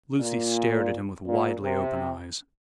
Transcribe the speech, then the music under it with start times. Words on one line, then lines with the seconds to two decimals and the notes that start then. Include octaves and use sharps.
Lucy stared at him with widely-open eyes.
0.19 A#2
1.26 A#2
1.61 C3